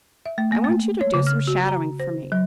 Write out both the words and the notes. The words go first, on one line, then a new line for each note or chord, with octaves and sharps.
"I want you to do some shadowing for me."
E5
A3
A#3
A3
C#5
C#3
F6
F#4
A#5
C5
F#3